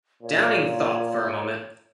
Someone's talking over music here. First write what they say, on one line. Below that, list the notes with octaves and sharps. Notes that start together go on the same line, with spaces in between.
Downing thought for a moment.
A#2 C#5